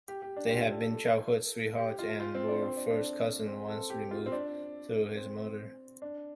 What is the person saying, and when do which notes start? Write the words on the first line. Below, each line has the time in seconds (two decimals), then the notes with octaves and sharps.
They had been childhood sweethearts and were first cousins once removed through his mother.
0.08 G4
0.22 G4
0.36 D4
0.46 G4
0.51 F4
0.61 G4
0.71 A4
0.82 A4
1.78 G4
1.99 F4
2.20 F4
2.35 C4
2.48 D4
2.63 C4
2.77 D4
2.90 D4
3.47 C4
3.69 A4
3.90 G4
4.11 F4
4.26 C4
4.32 D4
5.17 C4
6.02 D4